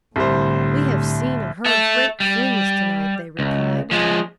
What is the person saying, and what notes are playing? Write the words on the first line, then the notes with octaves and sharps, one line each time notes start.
"We have seen and heard great things to-night," they replied.
C2 A2 D3 G3 C5
A4 E5
G3
C#2
F3 G#3